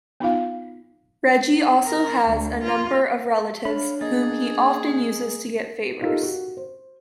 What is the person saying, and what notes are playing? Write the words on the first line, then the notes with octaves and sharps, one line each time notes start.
Reggie also has a number of relatives whom he often uses to get favors.
B3 D#4 F4 F5
A#4
D2
F4
D4 C#5 F5 B5
A#3 G#4 D#5 A6
D#4 F4 G4 A4 A#4 D#5
F#4
C5